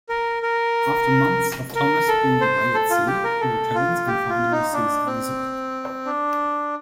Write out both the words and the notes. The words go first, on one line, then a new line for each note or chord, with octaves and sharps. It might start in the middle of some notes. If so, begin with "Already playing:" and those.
After months of Thomas being away at sea, he returns and finally sees Elizabeth.
A#4
A#4
A#4
A4
C5
A4
F4
G4
A#4
A4
F4
G4
F4
D#4
D4
C4
D4